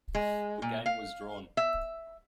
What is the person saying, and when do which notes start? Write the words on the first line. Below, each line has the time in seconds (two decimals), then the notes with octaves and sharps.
The game was drawn.
0.15 G#3
0.62 A#2
0.86 F5
1.57 E5